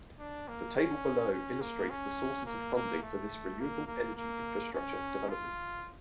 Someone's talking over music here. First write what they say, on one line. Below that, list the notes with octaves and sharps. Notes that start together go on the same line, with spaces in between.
The table below illustrates the sources of funding for this renewable energy infrastructure development.
D4
A#3
C#4
C#4
A#3
C#4
A#3
A#3
A3
A#3
A#3
A#3
C#4
F4